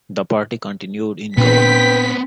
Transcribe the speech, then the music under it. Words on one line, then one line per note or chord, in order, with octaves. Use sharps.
The party continued in government.
A#2 B3 C4 D4 B4 G5 B6